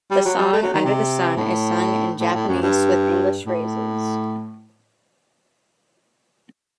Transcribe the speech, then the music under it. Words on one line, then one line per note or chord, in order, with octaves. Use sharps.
The song "Under the Sun" is sung in Japanese with English phrases.
G3
F#3
G3
A3
F#3
D#3
C3
A2
A2
A2
F#2
G2
A2